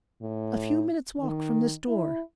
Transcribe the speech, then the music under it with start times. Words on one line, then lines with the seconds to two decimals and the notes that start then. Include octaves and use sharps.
"A few minutes' walk from this door."
0.22 A2
1.20 D#3
1.88 E4